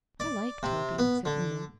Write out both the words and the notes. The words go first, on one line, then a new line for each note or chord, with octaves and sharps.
'I like Toby,' said Una.
D5
C3
B3
D3